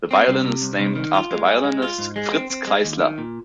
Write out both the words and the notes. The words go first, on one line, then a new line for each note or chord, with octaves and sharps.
The violin is named after violinist Fritz Kreisler.
C4
C2
C3
C2
C2
D#3
F4
G#3
G#4
G#3
F4
G#2
G#3
C4
C4
G#3
D#2
D#3
A#2